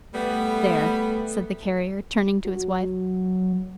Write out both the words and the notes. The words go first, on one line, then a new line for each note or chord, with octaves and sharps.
"There!" said the Carrier, turning to his wife.
G3 A3 B3
F#3